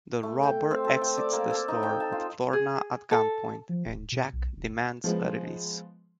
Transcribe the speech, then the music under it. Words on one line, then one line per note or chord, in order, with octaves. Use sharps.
The robber exits the store with Florna at gunpoint and Jack demands her release.
A3
G5
C4
A4
G5
D5
A#3
A4
D#4
G5
A5
F4
G#4
A4
F3
D#1
B2
B1
E1
F3 G#3 B3